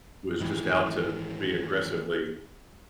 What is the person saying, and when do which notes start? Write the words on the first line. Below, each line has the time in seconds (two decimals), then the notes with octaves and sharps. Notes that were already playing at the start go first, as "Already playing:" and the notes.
was just out to be aggressively
0.40 G#2 D#3 E3